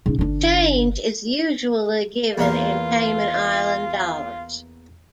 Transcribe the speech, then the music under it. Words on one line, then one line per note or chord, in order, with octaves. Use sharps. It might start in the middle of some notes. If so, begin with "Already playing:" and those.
Change is usually given in Cayman Island dollars.
C#3 D#4
G1 D3 D4
E2 A#3 F4 F5